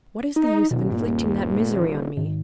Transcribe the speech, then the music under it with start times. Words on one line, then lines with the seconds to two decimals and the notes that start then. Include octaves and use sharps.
What is the use of inflicting that misery on me?
0.36 D#4
0.71 D#1 B2
0.90 G2 A#3
2.17 G#2 D#3